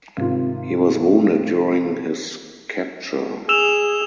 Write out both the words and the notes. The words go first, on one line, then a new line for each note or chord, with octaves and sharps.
He was wounded during his capture.
G#1 C3 F4
G#4 E6 E7 F7